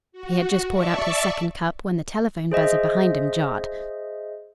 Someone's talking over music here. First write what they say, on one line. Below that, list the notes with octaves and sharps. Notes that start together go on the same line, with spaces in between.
He had just poured out his second cup, when the telephone buzzer behind him jarred.
F#4
D5 E5 A5 C#6
G#4 C5 D#5 E5